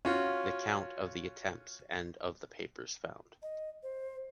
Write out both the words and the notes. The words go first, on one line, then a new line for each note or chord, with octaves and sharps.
The count of the attempts and of the papers found.
C#4 F4 F#4
D#5
C5